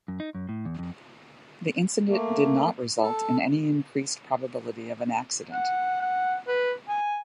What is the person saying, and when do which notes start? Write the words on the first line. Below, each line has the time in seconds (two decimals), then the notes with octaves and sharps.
The incident did not result in any increased probability of an accident.
0.08 F#2
0.20 D#4
0.35 F#2
0.49 A2
0.65 E2
0.79 F2
2.08 A3 A#3
3.03 A4
5.53 F#5
6.01 F#5
6.48 B4
6.89 G#5